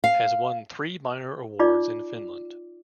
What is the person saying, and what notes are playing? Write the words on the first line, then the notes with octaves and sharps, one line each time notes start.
Has won three minor awards in Finland.
F5
D#4 F4 D5 D6